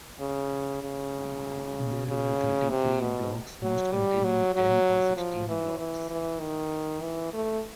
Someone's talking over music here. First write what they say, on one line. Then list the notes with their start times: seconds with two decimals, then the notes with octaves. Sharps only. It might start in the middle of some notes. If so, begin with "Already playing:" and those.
There were thirty-three blocks, most containing ten or sixteen lots.
0.21 C#3
0.83 C#3
2.07 C#3
2.69 C3
3.00 B2
3.63 F#3
3.92 G3
4.24 F#3
4.55 F#3
5.17 F3
5.48 E3
5.78 E3
6.10 E3
6.40 D#3
7.02 E3
7.34 A3